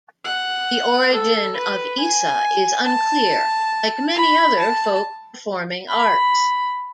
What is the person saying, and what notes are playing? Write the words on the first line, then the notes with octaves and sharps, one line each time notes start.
The origin of Eisa is unclear like many other folk performing arts.
F#5
A4
B4
G#5
A5
B5
A5
B5